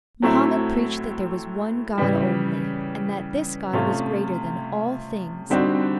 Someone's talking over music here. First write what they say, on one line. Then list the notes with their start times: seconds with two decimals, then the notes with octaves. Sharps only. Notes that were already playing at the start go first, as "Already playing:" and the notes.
Mohammed preached that there was one God only, and that this God was greater than all things.
0.22 A2 F#3 A3 C4 E4
1.98 C#3 E3 G3
3.73 C3 F3 A3 C#4 F4
5.50 D3 G3 C4 D#4 F#4